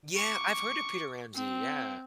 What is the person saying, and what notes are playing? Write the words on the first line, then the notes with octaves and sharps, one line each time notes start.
Yeah, I've heard of Peter Ramsey, yeah.
C#6 D6
C4